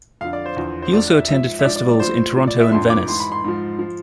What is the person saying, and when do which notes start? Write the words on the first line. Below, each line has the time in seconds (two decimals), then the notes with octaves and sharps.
He also attended festivals in Toronto and Venice.
0.21 F2 D3 F3 F5
0.33 D5
0.46 C5
0.57 E2 D3 F3
0.82 C5
0.92 F2 D3 F3 D5
1.11 E5
1.29 G#2 F3 E5
1.59 E5
1.64 G#2 F3 D5
1.76 D5
1.89 D5
2.00 A2 F3 C5
2.37 A2 F3
2.47 D5
2.60 E5
2.72 F2 D3 F3 C6
2.90 D6
3.08 G#2 E3 C6
3.20 B5
3.32 C6
3.44 G#2 F3
3.79 F3